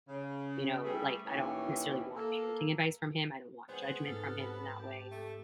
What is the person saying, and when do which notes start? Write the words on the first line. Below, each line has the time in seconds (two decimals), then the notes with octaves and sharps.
you know, like I don't necessarily want parenting advice from him, I don't want judgment from him in that way,
0.07 C#3
0.83 G3 A3 G#4
1.25 D#2 B2 E3 C#4 E4 G4
2.15 A#3 A4
3.69 G#3 B3 G#4 C5 F#5
4.06 G#2 C4 A4 F6 A6
4.40 A5 B5 A#6
4.79 G4
5.11 A3 A#5